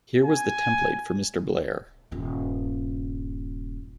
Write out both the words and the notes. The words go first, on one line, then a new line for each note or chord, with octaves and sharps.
Here was the template for Mr Blair.
G#5
D#1 G2